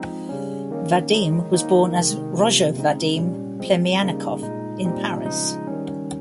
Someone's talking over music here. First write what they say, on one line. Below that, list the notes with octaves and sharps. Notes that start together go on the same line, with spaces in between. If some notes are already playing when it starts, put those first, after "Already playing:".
Vadim was born as Roger Vadim Plemiannikov in Paris.
Already playing: F3 G#3 C4 D#4
C#3 G3 C#4
D#3 A#3 C#4
D#3 G#3 D#4
D#3 A#3 D#4
C3 D#3 G#3
C3 F3 A#3
C#3 G#3 C4 D#4
A#2 G3 C#4
F3 G#3 C4
C#3 G3 A#3 D#4
A#2 G#3 D#4
A#2 G3 C4 D#4
C#3 F3 G#3 D#4
D#3 G3 C#4